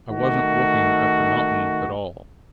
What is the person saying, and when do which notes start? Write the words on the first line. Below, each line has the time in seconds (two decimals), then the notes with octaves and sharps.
I wasn't looking at the mountain at all.
0.10 D#3 A3 F#4